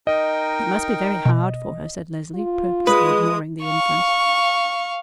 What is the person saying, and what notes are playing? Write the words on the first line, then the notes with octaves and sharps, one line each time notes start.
"It must be very hard for her," said Leslie, purposely ignoring the inference.
D#4 A#4 D#5 G5
B2
F4
G#3 B4 D#6
F5 C#6